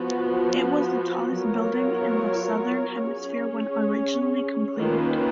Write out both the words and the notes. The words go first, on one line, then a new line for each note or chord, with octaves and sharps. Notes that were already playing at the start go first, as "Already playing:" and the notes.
It was the tallest building in the southern hemisphere when originally completed.
Already playing: F3 B3 F#4
F#3 B3 F4 A#4 C#5
C#4 G#4 C#5
D#3 A#3 C#4 F4 B4